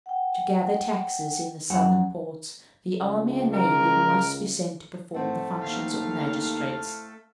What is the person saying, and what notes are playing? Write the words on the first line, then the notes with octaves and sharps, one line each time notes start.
To gather taxes in the Southern ports, the army and navy must be sent to perform the functions of magistrates.
F#5 G5
F#2 F#5
C#2
A#4
A2 A3 C4 A4 F#5
D#2 F5